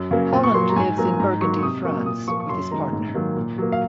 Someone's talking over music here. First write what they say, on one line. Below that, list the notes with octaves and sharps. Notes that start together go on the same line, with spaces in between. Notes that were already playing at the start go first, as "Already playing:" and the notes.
Holland lives in Burgundy, France with his partner.
Already playing: F#2
C#3 F#3 A#3
A#2
C#6
F#3 A#3 C6
A#5
G#2 G#5
F#3 A#3 A#5
G#2 A#5
F#3 A#3 C#6
C#6
C3 D#6
F#3 A#3 C#6
A#2 D#6
F3 A#3 C#6
C#6
F#2 C6
D#3 G#3 A#5
G#2
D#3 F#3 A#3
A#2
F#3 A#3
F5